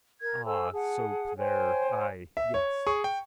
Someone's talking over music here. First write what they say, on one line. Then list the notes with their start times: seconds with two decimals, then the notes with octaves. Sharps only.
Ah soap there I yes.
0.20 A#4 G#6
0.45 A4 C5 G#5 E6
0.73 G#4 F#5 A5
1.37 C5 C#5 G5 G#5
2.37 E5
2.54 C#5
2.87 G#4 C#6
3.04 G5